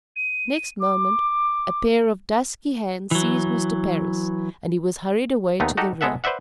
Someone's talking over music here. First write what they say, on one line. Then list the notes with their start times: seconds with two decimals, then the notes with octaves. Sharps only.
Next moment, a pair of dusky hands seized Mr. Parris, and he was hurried away to the rear.
0.16 D#7
0.80 D6
3.11 E3 F#3
5.60 D#2 A3 B3 D#4
5.77 D#4 F#4 G4 A4
6.01 G#3 B3 A4 E5 F#5
6.24 B4 C5 D5 E5 F#5